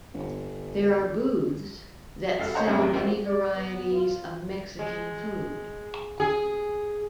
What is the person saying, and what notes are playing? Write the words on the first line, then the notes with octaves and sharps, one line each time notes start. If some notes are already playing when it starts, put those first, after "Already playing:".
There are booths that sell many varieties of Mexican food.
G1
C2 F#4 A4 F5
D#4 C5 C#5 D#5 F#5 A#5
A2 C3 F#3 G#3 A3
A1 C3 A#4
A#3 C4 D#4 F4 F#4
D5
B3
F4
G#3
G#4